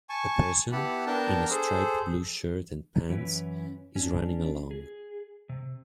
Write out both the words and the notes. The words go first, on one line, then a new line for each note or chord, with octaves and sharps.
A person, in a striped blue shirt and pants, is running along.
G#5 A5 C#6
B3 E4 G4 F#5 A5 B5
B3 D4 A#4 G5 A5
G#4 A4 C5
F#2 E3 C#4 E4 B4
C#4 D4
G#4
C3